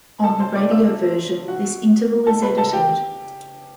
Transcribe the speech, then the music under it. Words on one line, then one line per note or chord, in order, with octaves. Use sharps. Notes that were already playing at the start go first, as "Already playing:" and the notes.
On the radio version, this interval is edited.
A4 A5
C5 C6
D5 D6
E5 E6
F#4 F#5
A4 A5
B4 B5
A4 A5
G4 G5